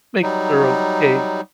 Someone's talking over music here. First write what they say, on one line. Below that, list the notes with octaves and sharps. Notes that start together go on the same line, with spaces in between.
make us our own cake
F#3 G3 D#4